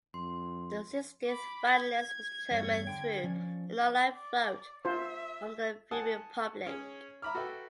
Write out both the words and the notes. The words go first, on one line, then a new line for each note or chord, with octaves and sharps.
The sixteenth finalist was determined through an online vote from the viewing public.
F2 C6
B5 D6
G#6
E2 G2 C#5
D3 G5
F3 C#4 D5
D5
F4 C5 E5
F#5 G#5 A5 D#6
C#4 G#4 C#5
E5 A#5 B5 D6 F6
F#4 A4 B4 E5 G5